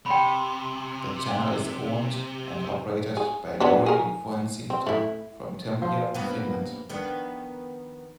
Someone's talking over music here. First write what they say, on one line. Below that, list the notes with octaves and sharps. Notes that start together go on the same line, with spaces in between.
The channel is owned and operated by Lauri Vuohensilta from Tampere, Finland.
C3 G5 B5
G#4
F#3 B3 D4
G#4 A#4
C4
A3 E4
F3
G2 A#3 B3
D#3 B3 D4